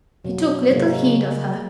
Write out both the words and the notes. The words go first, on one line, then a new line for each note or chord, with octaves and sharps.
He took little heed of her.
F2 B2 F#3
G#2 C3 F#3 G#3 A#3
C#3 A3